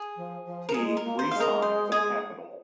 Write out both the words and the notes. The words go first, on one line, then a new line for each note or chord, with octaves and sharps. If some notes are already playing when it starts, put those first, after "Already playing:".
He re-signed with Capitol.
Already playing: G#4
F3
F3
A#4
G#3 G#4
A#4
A#3
C5
G#3 F5
A#4 D#5
C5
G#4